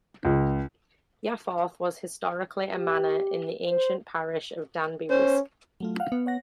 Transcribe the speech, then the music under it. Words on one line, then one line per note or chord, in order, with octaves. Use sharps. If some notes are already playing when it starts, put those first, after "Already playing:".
Yafforth was historically a manor in the ancient parish of Danby Wiske.
C#2
G4
C5
C#4 C5
F#3 A3 F4
F5 F#5
B3
C#5 F#5 A#6